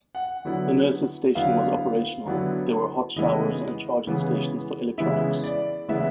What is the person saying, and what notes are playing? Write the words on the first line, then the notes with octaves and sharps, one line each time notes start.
The nurses' station was operational; there were hot showers and charging stations for electronics.
F#5
D3 F#3 B3 E4
D3 F#3 B3 E4 F5
D3 F#3 B3 E4
C#3 E3 G#3 B3 E4 D#5
C#3 E3 G#3 B3 E4
C#3 E3 G#3 B3 E4 E5
D5
C#3 E3 G#3 B3 E4 E5